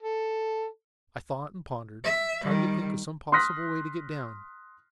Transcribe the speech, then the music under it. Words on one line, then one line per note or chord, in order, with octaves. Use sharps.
I thought and pondered, trying to think of some possible way to get down!
A4
E5
D#3 G3
C6 D#6 F6 F#6 A#6 B6